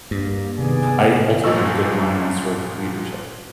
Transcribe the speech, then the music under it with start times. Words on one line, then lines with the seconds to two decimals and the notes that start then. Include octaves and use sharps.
I ultimately did mine on servant leadership,
0.11 G2 A#3
0.58 C3 D#3 B3 G#4 D5 G#5
1.44 G#1 A#2 F3 D#5 C#6 E6